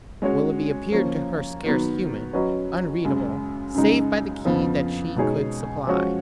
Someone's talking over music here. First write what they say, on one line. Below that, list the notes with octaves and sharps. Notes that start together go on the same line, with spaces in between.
Willoughby appeared to her scarce human, unreadable, save by the key that she could supply.
G#3 C#4 F#4 C#5
F3 A#3 C#4
D#3 F#3 B3
F#3 C#4 F#4 B4 D#5
F#2 C#3 G#3
F#2 C#3 G#3 D#4
F2 C#3 F3 B3
B2 G#3 D#4 G#4 C#5
F3 G#3 C#4 F#4 C#5